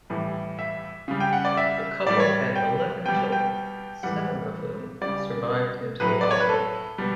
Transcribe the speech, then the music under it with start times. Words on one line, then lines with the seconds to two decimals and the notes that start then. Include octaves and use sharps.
The couple had eleven children, seven of whom survived into adulthood.
0.10 A2 E3 G3
0.59 E5
1.08 C#3 G3
1.20 G5
1.33 F#5
1.45 D5
1.57 E5
2.07 A2 G3 D5
2.20 C#5
2.56 G5
3.05 B2 G3 G5
3.32 G5
4.03 A2 E3 G3 F#5
5.01 C#3 G3 D5
6.00 A2 F#3 B4
6.21 D5
6.31 C#5
6.40 B4
6.49 A4
6.98 B2 G3